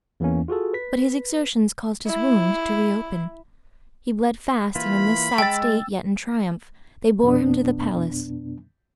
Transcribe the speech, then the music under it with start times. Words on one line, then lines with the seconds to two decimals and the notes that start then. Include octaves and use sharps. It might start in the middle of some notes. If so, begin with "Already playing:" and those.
But his exertions caused his wound to reopen; he bled fast, and in this sad state, yet in triumph, they bore him to the palace.
0.20 E2 E3 A#3 C#4
0.48 F4 F#4 G#4 A4
0.73 B4 B6
2.07 E4
4.75 E3 A#3 F4 B5
5.38 G#3 G5 E6 A6
7.23 F2 B2 B3 D4